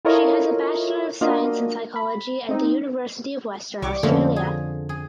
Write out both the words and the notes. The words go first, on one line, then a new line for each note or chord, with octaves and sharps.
She has Bachelor of Science and Psychology at the University of Western Australia.
E4 F4 A4 A#4 C#5 D#5
A#3 D4 F4 F#4 A#4 D#5
B5
C4 D#4
C2 G3 C#6 D6
F2 D3 F3 A3 A#3 C#4
G#4
G#4